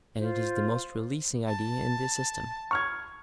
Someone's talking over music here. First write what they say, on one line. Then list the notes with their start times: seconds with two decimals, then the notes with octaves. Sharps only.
And it is the most releasing idea in the system.
0.18 F4 C5
1.47 A5
2.71 C#6 F6 G#6